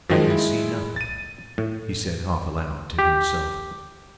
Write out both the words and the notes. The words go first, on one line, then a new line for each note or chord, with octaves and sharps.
"I can see nothing," he said half aloud to himself.
F#2 D#3 F3 G#3
G#3 E4
A6 D#7
A2
G4